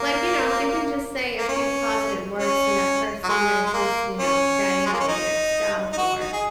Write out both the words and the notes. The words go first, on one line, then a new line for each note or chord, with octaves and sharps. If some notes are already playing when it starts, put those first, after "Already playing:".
Like, you know, if you can just say a few positive words to that person that's just, you know, shouting out negative stuff or,
Already playing: A#3
A#3
C#4
C#4
F#3
G#3
G#3
A#3
C#4
G#3
A#3
C#4
D#4
D#4
F#4
D#4
G#4